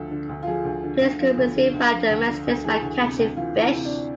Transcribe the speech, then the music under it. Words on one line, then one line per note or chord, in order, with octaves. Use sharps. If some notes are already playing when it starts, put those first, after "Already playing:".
Players could receive random messages by catching fish.
Already playing: D2 F3 A4
D3
D2
F4
F3 G#4
D2
D3
D2
F3
D2
D3
D2
F3 F4
D2
D3
D2
E3 G#4
D2
C3
D2
E3 F4
D2
E4
C3
D4